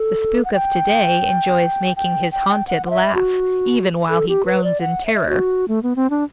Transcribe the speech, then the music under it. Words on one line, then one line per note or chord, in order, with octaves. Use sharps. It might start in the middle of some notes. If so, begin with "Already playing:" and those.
The spook of to-day enjoys making his haunted laugh even while he groans in terror.
Already playing: A4
F#5
G5
G5
G5
F#5
F#5
E5
F#4
A4
G4
B4
D5
F#5
E5
F#4
A3
B3
C4
D4